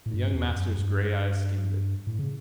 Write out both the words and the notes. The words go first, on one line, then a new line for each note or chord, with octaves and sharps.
The young master's grey eyes skimmed it.
A2
G2
E2
F#2
G2
A2
C#3